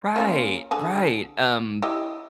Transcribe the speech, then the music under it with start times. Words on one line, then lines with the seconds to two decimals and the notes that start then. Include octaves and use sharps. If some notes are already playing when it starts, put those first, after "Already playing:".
Right, right, um,
0.16 A#3 C#4 F4
0.71 D3 G#4 A5
1.82 E4 G4 D#5